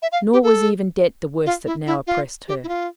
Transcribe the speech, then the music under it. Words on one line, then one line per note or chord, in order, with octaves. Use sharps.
Nor was even debt the worst that now oppressed her.
E5
F5
G4
A4
F4
E4
E4
F4
G4
E4
F4